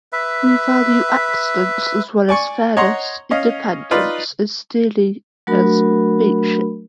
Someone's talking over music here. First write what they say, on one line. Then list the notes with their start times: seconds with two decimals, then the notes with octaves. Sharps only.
We value excellence as well as fairness, independence as dearly as mateship.
0.13 B4 E5
2.29 D5 G#5 C#6
2.77 C#5 D#5 F#5 A#5 C6
3.31 C#4 D#5 F5
3.91 D#4 F4 B4 D5
5.47 F#3 A3 D4 F#4 A#4 B5